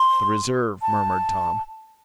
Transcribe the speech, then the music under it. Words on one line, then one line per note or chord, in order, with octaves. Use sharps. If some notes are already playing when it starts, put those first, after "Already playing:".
"The reserve," murmured Tom.
Already playing: C6
A5